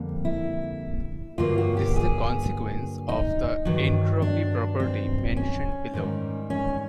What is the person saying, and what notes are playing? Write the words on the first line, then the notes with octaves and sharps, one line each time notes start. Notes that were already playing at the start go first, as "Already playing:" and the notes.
This is a consequence of the entropy property mentioned below.
Already playing: F2 D3 G3 A#3
E4
G2 D3 F#3 A#3 F4
F#4
G4
G#4
D#4
G2 D#3 F#3
D4
C4
C#4
G#2 D#3 G3
C#4